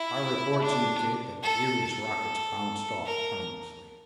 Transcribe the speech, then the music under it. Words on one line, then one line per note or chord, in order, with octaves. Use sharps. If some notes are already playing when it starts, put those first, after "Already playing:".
Our reports indicate that the Eries' rockets bounced off harmlessly.
Already playing: E4
D4
A4
A4
A#4